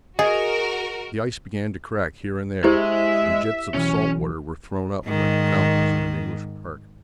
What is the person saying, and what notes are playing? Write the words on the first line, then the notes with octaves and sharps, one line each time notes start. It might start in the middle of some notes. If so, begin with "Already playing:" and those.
The ice began to crack here and there, and jets of salt water were thrown up, like fountains in an English park.
F#4 G#4 A#4 D#5
G#3 E4 G4 C5 E5
B1 E3 C#4
G#2 D#3